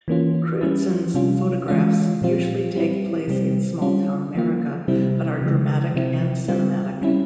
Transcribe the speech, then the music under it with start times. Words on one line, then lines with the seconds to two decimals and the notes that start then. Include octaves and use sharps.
Crewdson's photographs usually take place in small-town America, but are dramatic and cinematic.
0.08 E3 A#3 C#4 F4
0.61 G3 C#4 E4
1.14 C3 G3 C#4 F4
1.68 E3 G#3 C#4 F4
2.22 A#2 F3 C4 F4
2.75 G3 C4 E4
3.28 C3 G3 C4
3.81 G3 C#4 F4
4.35 F3 A#3 F4
4.88 C3 G3 C4 E4
5.42 C#3 F3 G#3
5.95 C3 F3 C4 E4
6.48 G3 C4 F4
7.01 G3 C#4 E4